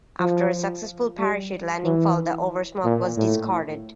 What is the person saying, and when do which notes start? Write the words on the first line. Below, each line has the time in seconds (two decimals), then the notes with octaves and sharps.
After a successful parachute landing fall, the oversmock was discarded.
0.19 F3
1.19 G3
1.84 E3
2.84 A#2
3.17 A2